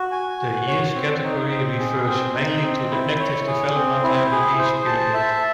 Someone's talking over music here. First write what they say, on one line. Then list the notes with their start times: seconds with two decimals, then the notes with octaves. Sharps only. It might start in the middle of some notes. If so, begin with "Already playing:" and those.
The years category refers mainly to the active development and release period.
Already playing: F#4
0.12 G#5
0.40 F#4
0.67 C#5
0.95 C4
1.24 D#4
1.51 C4
1.79 G#4
2.07 C4
2.36 D#4
2.63 C4
2.91 E4
3.20 C#5
3.47 G#4
3.75 C4
4.03 E4
4.31 G#4
4.59 C5
4.86 A5
5.14 E5